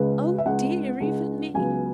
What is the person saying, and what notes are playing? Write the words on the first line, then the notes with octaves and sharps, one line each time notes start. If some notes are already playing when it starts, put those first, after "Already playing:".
Oh dear, even me.
Already playing: C#2 C#3 G#3 B4
E5
C#2 C#3 G#3 F#5
C#2 C#3 G#3
C#2 C#3 F#3 B3 G#5